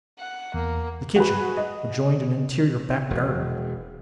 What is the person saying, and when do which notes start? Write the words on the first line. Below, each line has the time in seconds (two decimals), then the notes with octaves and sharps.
The kitchen adjoined an interior back-garden.
0.19 F#5
0.54 E2 A#3
1.16 F#4 G#4 B4
1.57 D#5
3.10 E1